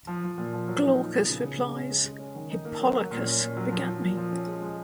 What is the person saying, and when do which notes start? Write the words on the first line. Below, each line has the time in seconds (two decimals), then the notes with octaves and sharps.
Glaucus replies: Hippolochus begat me.
0.07 F3
0.24 F3
0.38 A#2
0.54 F3
0.68 F#3
0.84 D#4
0.98 A#2
1.14 B3
1.29 C#3
1.44 C#3
1.59 G#3
1.74 C#4
1.90 G#3
2.04 G#3
2.19 C#4
2.35 D#3
2.50 D#4
2.65 A#3
2.80 F#3
2.95 F#3
3.11 A#2
3.26 C#4
3.40 A#2
3.57 F#3
3.72 F3
3.87 F3
4.02 A#2
4.17 F3
4.32 C#4
4.47 G#3
4.62 G#3